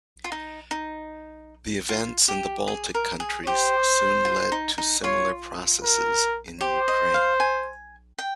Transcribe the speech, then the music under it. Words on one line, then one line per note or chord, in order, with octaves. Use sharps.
The events in the Baltic countries soon led to similar processes in Ukraine.
F4
D#4
D#4
F4
G4
G#4
A#4
G#4
G4 C5
F4
D#4
D#4
F4 C#5
A#4
G4 C5
D#5
F5
G#5
G5